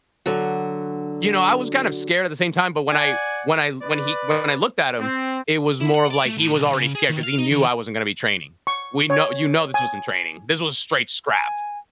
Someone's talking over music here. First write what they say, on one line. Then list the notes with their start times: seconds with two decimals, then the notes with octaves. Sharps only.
you know, I was kind of scared at the same time, but when I when I when he when I looked at him, it was more of like he was already scared 'cause he knew I wasn't gonna be training. We know you know this wasn't training, this was straight scrap,
0.26 D3 F#3 F#4
2.90 D5 F#5 G#5
3.82 B4 D5
5.01 C4
5.81 E4
5.95 F#5
6.11 D5
6.26 A3
6.38 A2
6.53 B1
6.73 C#3
6.95 G#4
7.09 D#3
7.23 F5
7.39 D#4
7.51 D#3
8.67 C#6
9.10 C#5
9.74 G#5
11.30 G#5